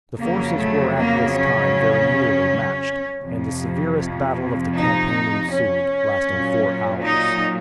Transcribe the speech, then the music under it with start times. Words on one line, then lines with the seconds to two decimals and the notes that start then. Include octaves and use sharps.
The forces were at this time very nearly matched, and the severest battle of the campaign ensued, lasting four hours.
0.19 F2 C#3 F#3 A#3
0.57 A3
0.95 A#3
1.33 C#4
3.24 F2 C3 F3
4.76 D#4
5.51 C#4
6.29 A#2 F#3
7.04 D#4